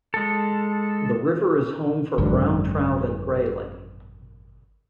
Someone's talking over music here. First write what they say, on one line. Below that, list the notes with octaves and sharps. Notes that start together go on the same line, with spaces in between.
The river is home for Brown trout and Grayling.
G#3 A4
G#1 F#2 D3